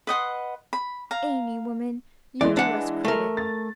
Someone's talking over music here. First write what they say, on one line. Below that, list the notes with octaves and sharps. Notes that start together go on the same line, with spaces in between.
'Amy, woman, you do us credit!
B4 D#5 F#5 C6
B5
F5 A#5
E3 G#3 D5
D4 F#5
A3 A#4
A6